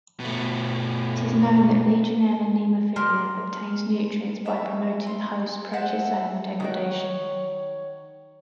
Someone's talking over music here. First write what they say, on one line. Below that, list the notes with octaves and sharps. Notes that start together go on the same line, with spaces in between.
It is known that "Legionella pneumophila" obtains nutrients by promoting host proteasomal degradation.
B2 A3
G4 A#4 C5 C6
D#5 E5 A5 C#6
C6
C5 E5 F#5 A5
D#3 F#4 C#5 G5